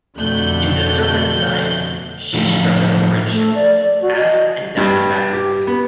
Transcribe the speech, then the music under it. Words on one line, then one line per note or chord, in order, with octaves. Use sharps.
In the Serpent Society she struck up a friendship with Asp and Diamondback.
F2 B2 D3 A3 F#6 G6
A2 D3 D#3 F3
A3
D5
D5
F#4
D#5
G2
G4
B3